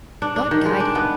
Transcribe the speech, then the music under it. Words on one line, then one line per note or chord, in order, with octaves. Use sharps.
God guide him!...
D4
D4
D#3
G#3
D4
B3